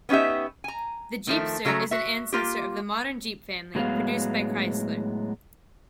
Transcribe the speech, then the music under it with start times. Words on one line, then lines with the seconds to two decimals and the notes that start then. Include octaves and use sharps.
The Jeepster is an ancestor of the modern Jeep family produced by Chrysler.
0.09 B3 C#4 D#4 G4 E5
0.64 G#5 A#5
1.27 D#3 F3 A3
1.65 C#3 F#3 A3 G#4 A#5
1.91 F#4 E5
2.32 A#3 F4 G4
3.75 A2 E3 F#3 G#3 B3 F5